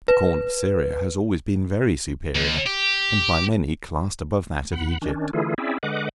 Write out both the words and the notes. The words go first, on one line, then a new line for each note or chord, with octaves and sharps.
The corn of Syria has always been very superior, and by many classed above that of Egypt.
B4
D#2
G4
E2 F#5 B5
D#3 C#4 D4
D3 E3 A3 E4 F4 G#4
C4 C#4 E4 G#4 D5 E5
D3 G#3 B4 D#5 F#5 D6